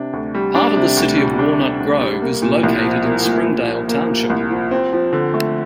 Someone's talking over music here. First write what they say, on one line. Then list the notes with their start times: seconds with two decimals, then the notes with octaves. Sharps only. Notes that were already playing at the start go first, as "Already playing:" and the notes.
Part of the city of Walnut Grove is located in Springdale Township.
Already playing: C3 D4
0.13 D2
0.35 G3
0.55 D4
0.76 C3
0.97 D2
1.18 G3
1.39 D4
1.60 C3
1.80 D2
2.01 G3
2.22 A#3
2.42 A#2
2.63 C2
2.85 F3
3.05 A#3
3.25 A#2
3.46 C2
3.68 F3
3.89 A#3
4.09 A#2
4.30 C2
4.51 F3
4.71 C4
4.93 F3
5.13 D3
5.34 A3